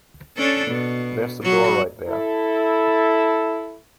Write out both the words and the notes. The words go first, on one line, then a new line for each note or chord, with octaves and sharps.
There's the door right there.
C#4 D4 A4
B2
F#3 F#4
E4 A4